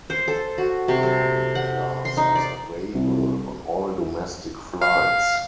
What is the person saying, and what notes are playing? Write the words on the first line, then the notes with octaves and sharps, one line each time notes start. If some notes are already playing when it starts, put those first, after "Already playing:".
Economy Class was available on all domestic flights.
C5
A4
F#4
C3
A4
F#5
C6
D#4
D5
C2
F5